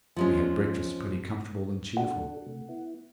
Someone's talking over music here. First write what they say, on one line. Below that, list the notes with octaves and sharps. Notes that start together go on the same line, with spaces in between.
We had breakfast pretty comfortable and cheerful.
F3 G#3 C#4
D4 F#4 A4 F#5
C3 A3
B3 E4